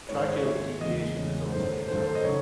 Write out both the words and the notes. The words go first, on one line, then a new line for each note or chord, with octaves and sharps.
Tracheal deviation is also examined.
G#2 D#3 G#3 C#5
C5
C#5
G#2 D#3 G#3 E5
E2 C#3 G#3 D#5
E2 C#3 G#3
F#2 D#3 F#3 A3 C5
F#2 D#3 F#3 A3 C5
A4
C5
D#5
C#3 F#3 C#5